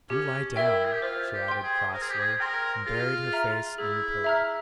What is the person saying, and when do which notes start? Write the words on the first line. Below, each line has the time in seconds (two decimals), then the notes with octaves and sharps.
"Do lie down," she added crossly, and buried her face in the pillow.
0.10 C#4 G4
0.56 E4 A#4 E5 G5
0.85 G#4
0.93 G4
1.02 F4 C5
1.33 G4
1.48 G5 C6
1.63 G#4
1.94 A#4 C5
2.02 G#4
2.11 G4
2.19 G#4
2.40 A#4 G5 C6
2.86 F4 G#4
3.33 E5 A#5 F6
3.78 E4 G#4
4.24 E5 A#5 F6